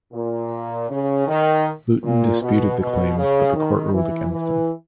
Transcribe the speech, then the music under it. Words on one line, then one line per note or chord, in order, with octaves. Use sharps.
Lewton disputed the claim, but the court ruled against him.
A#2
C#3
D#3
A#2
B2
B2
C#3
D#3
E3
E3